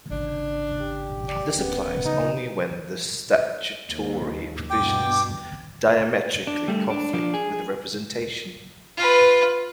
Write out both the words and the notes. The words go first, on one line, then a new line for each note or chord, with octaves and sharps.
This applies only when the statutory provisions diametrically conflict with the representation.
G#1 C#3 E3 D4
G4
D5
D1 B3 C#4
C#3 D#4
D#2
G2 B2 G5 D6
D4
G3 A3
D4
F3 D4
G#4
F4 B4